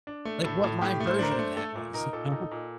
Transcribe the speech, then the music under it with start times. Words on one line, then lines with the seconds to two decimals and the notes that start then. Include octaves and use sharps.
Like, what my version of that was, you know?
0.07 D4
0.25 A3
0.44 A2 A4
0.64 A2
0.81 A2 G4
1.00 A3
1.07 C5
1.19 D4 A#4
1.31 C5
1.39 A3
1.57 A3 A4
1.75 A#2
1.94 D#4 A#4
2.13 A#2 A4
2.32 D#4
2.51 A#2